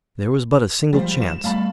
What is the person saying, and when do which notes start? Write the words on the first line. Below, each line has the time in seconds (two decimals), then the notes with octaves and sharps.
There was but a single chance.
0.93 F3 G3 G#3 C5
1.22 E7
1.44 G3 A3 B3 F5 A5 B5